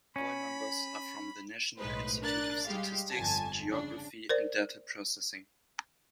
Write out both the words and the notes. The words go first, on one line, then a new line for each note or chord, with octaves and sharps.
All numbers are from the National Institute of Statistics, Geography, and Data Processing.
C#4 B5
B1 A2 G#3 D#4 B4 C5
D4 A#4 F#6 A6
G3 G#3 G4 F5
G1 F2 G#5 A5
C#3 D4
A#4 C5 D5